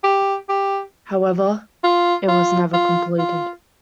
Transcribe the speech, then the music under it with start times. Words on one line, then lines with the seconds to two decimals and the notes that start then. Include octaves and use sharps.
However, it was never completed.
0.04 G4
0.49 G4
1.84 F4
2.28 F4
2.73 F4
3.18 F4